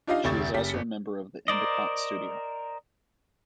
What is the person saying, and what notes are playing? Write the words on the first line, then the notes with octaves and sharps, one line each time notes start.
She is also a member of the Endicott Studio.
D4 D#4 F4 G4 D#5 F5
F1 D2 G4 C#6 A6
F#1 G4 B6
G1 C#7
A#4 C5 D5 D#5